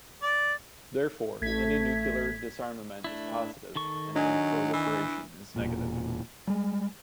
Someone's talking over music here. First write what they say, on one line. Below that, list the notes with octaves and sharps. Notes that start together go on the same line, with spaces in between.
Therefore, any nuclear disarmament is positive and any proliferation is negative.
D5
A1 A3 G#6 B6
A3 D4 E4
D#3 A4 C#6
F#3 D4 D#5 G#5
E3
E1 A#2
G3 G#3